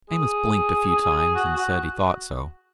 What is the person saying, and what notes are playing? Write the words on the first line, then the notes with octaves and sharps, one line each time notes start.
Amos blinked a few times and said he thought so.
G#4
F#4
F#4